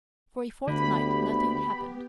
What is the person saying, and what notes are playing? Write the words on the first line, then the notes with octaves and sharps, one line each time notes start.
For a fortnight nothing happened.
D2 D3 B3 G4 B5